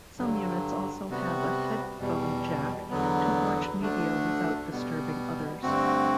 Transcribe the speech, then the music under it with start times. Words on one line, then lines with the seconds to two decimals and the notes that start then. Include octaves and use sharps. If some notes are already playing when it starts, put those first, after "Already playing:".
Some units also have a headphone jack to watch media without disturbing others.
0.18 G2 D3 F#3
1.08 C3 G3 B3 F#4
1.99 E2 B2 G3
2.90 E2 D3 F#3 B3
3.81 D2 D3 A3 D4
4.71 B2 G3 B3
5.62 G2 D3 A3 C4 F#4